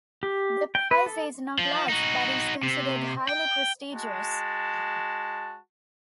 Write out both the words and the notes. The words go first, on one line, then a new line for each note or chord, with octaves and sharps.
The prize is not large, but is considered highly prestigious.
G4
G5
B4
A4
F3
D#4 F#4
C3
G5
G#3 F#4 A5